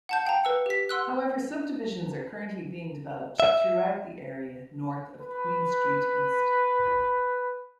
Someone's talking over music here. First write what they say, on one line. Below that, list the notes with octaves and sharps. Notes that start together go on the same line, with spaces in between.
However, subdivisions are currently being developed throughout the area north of Queen Street East.
F#5 A5 G6
F5 G5 A5 A#5
B4 E6 C#7
G4 B6
F#5 C6 E6 F#6
E5
B4 B5